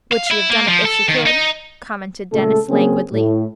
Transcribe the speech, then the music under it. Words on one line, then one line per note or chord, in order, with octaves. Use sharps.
"Would she have done it if she could?" commented Denis, languidly.
F5
E4
A#3
F3
A4
D#3
D#4
A#2 C#3 G#3 A3 A4
C#3 F#3 A#3 C4 C#4 G#4
A2